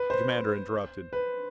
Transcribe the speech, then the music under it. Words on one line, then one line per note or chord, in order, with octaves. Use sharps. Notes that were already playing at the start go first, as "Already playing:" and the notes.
The commander interrupted.
Already playing: B4
C5
B4